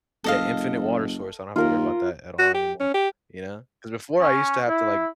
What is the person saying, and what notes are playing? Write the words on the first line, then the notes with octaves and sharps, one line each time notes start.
yeah, infinite water source. I don't have to worry about that at all anymore, you know? 'Cause before I used to have to, like
F#1 A4 D#5 F5
D#2 F4 A#4
F#4
G4
C#4
G4
C#4
E4